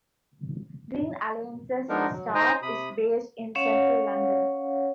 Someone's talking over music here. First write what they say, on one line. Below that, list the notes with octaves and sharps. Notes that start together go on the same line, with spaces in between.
Green Alliance's staff is based in central London.
F3 G#3 B3 D4 D#4 A#4
F#3
D#4 C5 D#5 G5 G#5 A#5
C3 B5 D#6
C#4 C#5 F5 F#5